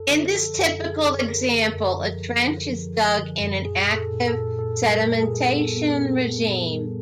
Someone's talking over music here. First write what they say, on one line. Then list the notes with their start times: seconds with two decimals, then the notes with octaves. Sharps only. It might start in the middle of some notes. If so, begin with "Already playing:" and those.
In this typical example, a trench is dug in an active sedimentation regime.
Already playing: F#2 A4
0.10 D3
0.34 F3 A4
0.58 F#2
0.81 D3 G#4
1.05 F#2
1.28 D3 A#4
1.52 D3
1.75 F#2
2.00 F3
2.22 F#2
2.46 D3
2.70 F3
2.94 F3
3.17 D3
3.41 F#2
3.65 A#2 G#4
3.88 A#2
3.96 A4
4.12 A#2
4.28 A4
4.36 A#2
4.59 A#2 A4
4.83 G3
4.91 A#4
5.06 A#2
5.23 G#4
5.30 A#2
5.53 B3 A4
5.77 B3
6.01 A#2
6.24 B3
6.49 A#2
6.72 G3